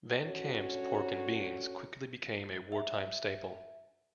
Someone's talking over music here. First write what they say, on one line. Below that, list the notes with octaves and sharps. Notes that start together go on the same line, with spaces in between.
Van Camp's pork and beans quickly became a wartime staple.
G2 C#4 F#4 A4 C#5
E5